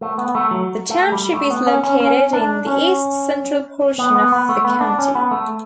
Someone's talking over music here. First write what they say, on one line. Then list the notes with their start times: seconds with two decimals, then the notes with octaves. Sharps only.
The township is located in the east central portion of the county.
0.01 A3
0.18 B3
0.28 B3
0.35 A3
0.51 F#3
0.90 A3
1.12 G3
1.33 A3
1.50 B3
1.67 C#4
1.83 C#4
2.00 C#4
2.33 D4
2.67 C#4
3.98 B3
4.15 B3
4.32 B3
4.49 A3
4.64 B3
4.81 D4
4.99 C#4
5.15 B3
5.31 A3